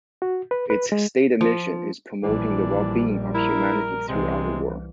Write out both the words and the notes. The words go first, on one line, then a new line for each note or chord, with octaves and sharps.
Its stated mission is promoting the well-being of humanity throughout the world.
F#4
B4
B4
G#3
F3
A#1 E3 G3 D4
E4 A#4
C2 C3 E3 G#3